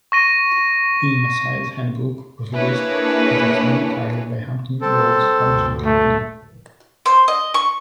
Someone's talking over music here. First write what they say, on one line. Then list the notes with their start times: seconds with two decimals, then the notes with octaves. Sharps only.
The "Messiah's Handbook" was released as its own title by Hampton Roads Publishing Company.
0.12 C#6 A#6 D#7
2.55 A#3 D4 E4 G#4 B4 C#5
4.81 G3 C4 A4
5.45 D2 G2
5.85 A3
7.06 C5
7.28 D#5
7.54 C#6